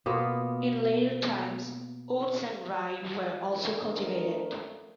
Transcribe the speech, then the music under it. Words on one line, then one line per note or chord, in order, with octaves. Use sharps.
In later times oats and rye were also cultivated.
B2 A#3 B3 F4
D#3 F3 A3 D4 D#4 A#4